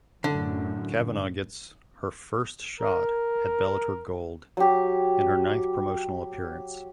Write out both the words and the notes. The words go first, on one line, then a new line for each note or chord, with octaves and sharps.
Kavanagh gets her first shot at Bellator gold in her ninth promotional appearance.
F#2 A2 D3
A#4
F#3 G4